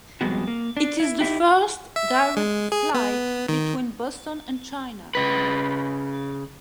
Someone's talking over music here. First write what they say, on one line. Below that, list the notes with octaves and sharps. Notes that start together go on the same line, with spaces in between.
It is the first direct flight between Boston and China.
F2 B2 G3 G#3 B3 F#4
A#3
D4
E4
D#4 E4 G4
E5
G#3
G#4
B3
D#3
C#3 B4